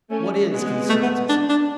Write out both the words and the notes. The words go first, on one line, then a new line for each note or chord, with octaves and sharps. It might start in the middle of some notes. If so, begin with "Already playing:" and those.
What is conservatism?
A3 C#4
G#3 B3
A3
B3
D4
D4